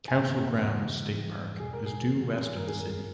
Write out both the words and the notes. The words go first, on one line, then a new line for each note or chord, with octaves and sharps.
Council Grounds State Park is due west of the city.
G#5
G2 D#3 A#3 G5
E2 C#3 E3 G3
G#2 E3 G3
E2 B2 G#3 G#4
A#4
G#4
E3 G#3 B3 G4
G2 D#3 G3 A#4
G#4
A#4